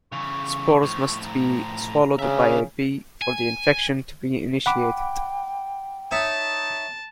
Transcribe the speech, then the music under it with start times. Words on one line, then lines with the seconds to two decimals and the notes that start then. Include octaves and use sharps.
Spores must be swallowed by a bee for the infection to be initiated.
0.12 C#3 E3 C#6
0.83 A2 F3
1.23 A#5
2.19 C#3 D4 E5
3.22 G#5
4.66 F#5 G5 B5 D6
6.11 D#4 C#5 E5 A5